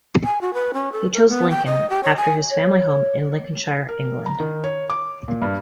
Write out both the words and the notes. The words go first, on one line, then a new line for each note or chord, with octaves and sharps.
He chose Lincoln, after his family home in Lincolnshire, England.
G#5
F#4
B4
C#4
A4
A#4
B3
G5
D#5
G4
C#5
G#5
C#5
A#4
A#5
D#3
C#5
D6
A#2
G2